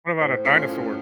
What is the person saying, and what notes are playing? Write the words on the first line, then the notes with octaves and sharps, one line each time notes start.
What about a dinosaur?
A2 C5
A3 C#4 F4
A2